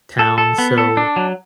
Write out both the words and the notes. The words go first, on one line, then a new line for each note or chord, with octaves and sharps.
town, so,
A4
A4
B3
A4
D4
F#3